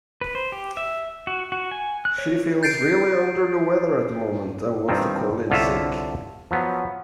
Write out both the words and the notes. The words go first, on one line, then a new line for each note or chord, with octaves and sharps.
She feels really under the weather at the moment and wants to call in sick.
B4
C5
G4
E5
F#4
F#4
G#5
F#6
C#5
G6 A6 C7 D7
G2 D#3 C4
C2 D3 F4 C#5 E5
F3 F#3 B3